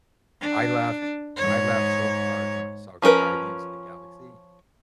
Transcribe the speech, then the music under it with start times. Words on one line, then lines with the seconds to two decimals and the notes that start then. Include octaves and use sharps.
I laughed I laughed so hard when I saw Guardians of the Galaxy,
0.41 D4
1.37 G#2 C#5
3.02 F3 C#4 D#4 A#4 B4